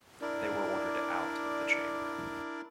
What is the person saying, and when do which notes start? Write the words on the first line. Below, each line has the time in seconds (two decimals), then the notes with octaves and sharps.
They were ordered out of the chamber.
0.22 D4 E4 A#4 D5